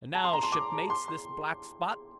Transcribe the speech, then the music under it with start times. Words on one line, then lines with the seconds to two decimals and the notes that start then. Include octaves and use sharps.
And now, shipmates, this black spot?
0.15 A5
0.24 C6
0.33 A#5
0.43 C6
0.52 D6
0.90 C6
1.08 C6